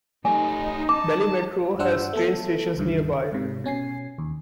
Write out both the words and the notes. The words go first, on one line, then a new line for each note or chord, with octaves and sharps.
Delhi Metro has train stations nearby.
A3 D#4 G4 G#5
A5 D6
G2 G3 D4 C5 F#5 E6
A3 B3 A4
C#2 G2 D#3
G#2 C3
B2 C#4 G#5 C7
D#2